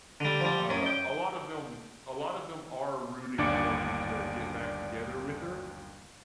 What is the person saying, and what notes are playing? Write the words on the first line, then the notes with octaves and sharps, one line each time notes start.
Uh, a lot of them a lot of them are rooting for me to get back together with her.
D3 G3
F3 G3
F#2 C#4
G5
G1 D#2 D4 D5 D6 C#7